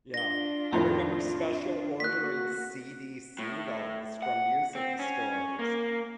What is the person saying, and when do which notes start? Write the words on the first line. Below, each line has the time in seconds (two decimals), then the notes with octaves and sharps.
yeah, I remember special ordering CD singles from music stores.
0.14 D4 F4 A#6 G7
0.73 F2 A2 D#3
2.00 A#3 F#4 F#6 B6
3.39 A2
4.22 F#5
4.75 C4
4.99 C#4
5.59 A#3